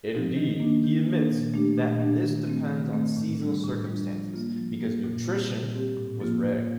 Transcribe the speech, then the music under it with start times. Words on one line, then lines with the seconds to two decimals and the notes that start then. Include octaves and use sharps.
Indeed, he admits that this depends on seasonal circumstances, because nutrition was rare.
0.13 F3 C4 D#4 G4
0.37 D#3
0.60 A#3 D4
0.84 D#3
1.06 A#3 D4
1.30 A#2
1.54 A3 D4 G4
1.77 A#2
2.00 A3 D4 G4
2.23 D#3
2.47 A3 C4
2.70 D#3
2.93 A3 C4
3.17 A2
3.40 G3 D4 F4
3.64 A2
3.87 G3 D4 F4
4.10 F3
4.34 A#3 F4
4.56 F3
4.81 A#3 F4
5.04 A#2
5.27 G3 C4 G4
5.50 A#2
5.73 G3 C4 G4
5.97 A2
6.20 F3 A#3 F4
6.43 A2